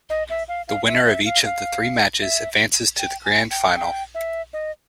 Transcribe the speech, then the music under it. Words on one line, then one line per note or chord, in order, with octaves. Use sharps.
The winner of each of the three matches advances to the Grand Final.
D#5
E5
F5
F5
E5
E5
F5
F5
E5
G5
G#5
G5
G5
E5
D#5